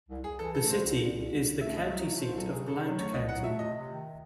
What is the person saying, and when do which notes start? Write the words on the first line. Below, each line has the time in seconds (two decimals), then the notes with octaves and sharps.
The city is the county seat of Blount County.
0.09 C2
0.24 C2 G#4
0.39 E3 A4
0.55 A3 A4
0.70 C2 C5
0.84 C2
1.00 C2
1.16 C2
1.31 C2
1.46 C2
1.61 A3 E5
1.76 C2 D#5
1.91 F#3 E5
2.06 A3
2.22 C2 C5
2.37 F#3 A4
2.52 C3 G#4
2.67 C3 A4
2.83 F#3
2.98 A3 C#5
3.13 C2 D#5
3.29 F#3 F#5
3.44 A3 E5
3.59 C3 D#5
3.74 C3
3.89 D#3